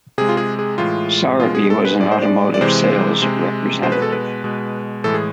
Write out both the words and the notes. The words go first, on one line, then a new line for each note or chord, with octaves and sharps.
Sowerby was an automotive sales representative.
C3 G#3 G#4
F4
G#4
G#4
A2 E3 G#3 F4
B2 G#3 F4
G#4
A4
B4
A2 G#3 D5
C5
D5
D5
C3 E3 G#3 C5
C3 G#3
B2 G#3 C5
B4
A4
B4
B2 G#3
A2 E3 G#3 A4
G#4